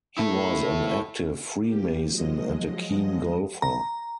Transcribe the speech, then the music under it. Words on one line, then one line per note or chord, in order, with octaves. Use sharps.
He was an active freemason and a keen golfer.
E4 A4
A#3 G4
F3 F#3 G#3 D#5
A#5